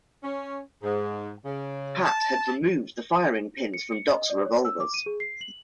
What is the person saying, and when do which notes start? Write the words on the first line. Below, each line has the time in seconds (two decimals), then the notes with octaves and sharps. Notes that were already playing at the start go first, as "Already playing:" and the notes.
Pat had removed the firing pins from Doc's revolvers.
0.23 C#4
0.83 G#2
1.45 C#3
2.05 A5
3.74 C#7
3.92 C#7
4.08 D#5
4.30 D5
4.45 C#5
4.65 E6
4.80 D6
4.94 D#7
5.06 G#4
5.20 C7
5.41 F#7